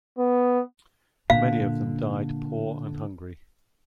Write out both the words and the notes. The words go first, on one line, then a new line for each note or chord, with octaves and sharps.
Many of them died poor and hungry.
B3
A#2 D3 A#3 F5